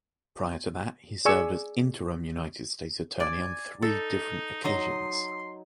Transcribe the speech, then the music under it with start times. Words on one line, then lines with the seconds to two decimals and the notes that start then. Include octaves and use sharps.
Prior to that, he served as interim United States Attorney on three different occasions.
1.25 G#4 D5 G#5 C#6 E6
3.20 D5 G#5
3.82 D#4 A4
4.64 F#3 D#4 D#5 C6